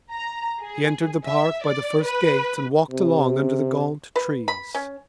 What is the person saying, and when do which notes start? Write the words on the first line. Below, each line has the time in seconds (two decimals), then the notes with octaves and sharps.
He entered the Park by the first gate and walked along under the gaunt trees.
0.11 A#5
0.61 G#4
1.25 E5
1.64 D5
2.04 B4
2.91 C3
4.16 B4
4.48 B5
4.74 C#4